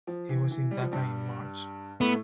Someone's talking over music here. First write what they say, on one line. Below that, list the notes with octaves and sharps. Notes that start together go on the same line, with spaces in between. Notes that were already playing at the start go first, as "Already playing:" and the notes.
He was in Dhaka in March.
F3
E3
E3
G3
F3
G2 G3
A2 A3 B3